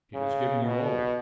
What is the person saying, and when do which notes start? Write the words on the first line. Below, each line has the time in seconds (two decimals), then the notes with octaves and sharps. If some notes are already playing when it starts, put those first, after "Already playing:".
She has given you all.
0.14 C#3
0.65 B2